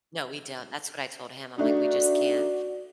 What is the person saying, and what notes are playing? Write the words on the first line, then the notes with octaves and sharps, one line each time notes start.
No, we don't. That's what I told him. I'm like, "We just can't
A3 D4 D#4 F#4 D5